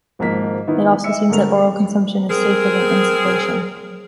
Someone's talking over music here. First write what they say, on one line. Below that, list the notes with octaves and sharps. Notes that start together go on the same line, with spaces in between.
It also seems that oral consumption is safer than insufflation.
G#1 G#2 F3 A#3 B6
D#3 B3 D#4 E4
D#5 E5 E6 C#7
G2 D3 G#3 A3 A#4 F7
C4 G#4 A#4